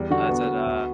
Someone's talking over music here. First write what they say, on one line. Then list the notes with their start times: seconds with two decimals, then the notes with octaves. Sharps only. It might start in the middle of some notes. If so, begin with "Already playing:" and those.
Uh, is that, uh
Already playing: E2 G3
0.10 D3 F#4
0.29 B3
0.47 B3
0.66 D2